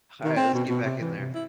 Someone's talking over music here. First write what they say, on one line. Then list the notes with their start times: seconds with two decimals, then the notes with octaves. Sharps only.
Alright, let's get back in there.
0.24 D#3
0.37 C4
0.54 B2
0.69 B2
0.84 C3
1.01 E3
1.18 C3
1.34 E4